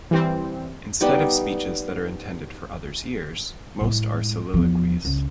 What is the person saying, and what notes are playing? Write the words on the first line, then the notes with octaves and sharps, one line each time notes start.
Instead of speeches that are intended for others' ears, most are soliloquies.
E3 G3 C4
G3 B3 D#4 D6
A2 G#3
E2 F3
C#2